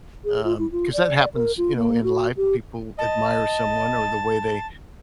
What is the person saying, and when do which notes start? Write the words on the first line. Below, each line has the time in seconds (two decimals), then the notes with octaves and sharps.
Um, 'cause that happens, you know, in life when people admire someone, or the way they,
0.25 G#4
0.44 F4
0.59 E4
0.72 F4
0.93 D5
1.17 D5
1.34 A#4
1.58 F4
1.76 A#3
2.04 F#4
2.37 G4
2.99 D#5 A5